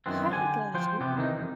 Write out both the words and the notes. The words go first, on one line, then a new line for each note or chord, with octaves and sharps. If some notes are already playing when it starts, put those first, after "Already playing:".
I got you.
F#2 D#3 E3 B3 C4
D3 G4 G#5
F3 C5 G5
C3 B3 G4
C3 D#3 E3 D#4
C2 F2